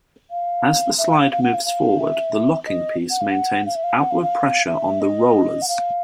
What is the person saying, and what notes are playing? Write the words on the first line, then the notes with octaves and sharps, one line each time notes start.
As the slide moves forward, the locking piece maintains outward pressure on the rollers.
F5
E5
F5
F5
F5
F#5
F5
F5
E5
D#5
F#5
F5
F#5
F5
E5
F5
F#5
F5
F5
E5
D#5
F#5
F5